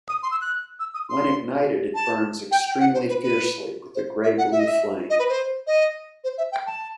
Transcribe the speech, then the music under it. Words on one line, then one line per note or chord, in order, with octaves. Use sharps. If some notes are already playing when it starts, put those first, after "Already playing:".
When ignited it burns extremely fiercely with a gray-blue flame.
D#6
C6
E6
F#6
E6
D#6
C6
A5
G5
G5
F#5
C5
B4
B4
C5
E5
F#5
E5
D#5
E5
D#5
B4
C5
D#5
C5
E5
G5
A5